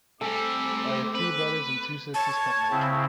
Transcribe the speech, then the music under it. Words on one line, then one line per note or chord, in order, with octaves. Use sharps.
I have three brothers and two sisters, but no children.
C3 G3 A3 C4 A4 G#5 D6
B4
C#5 A5 G#6
C#3 C4 E4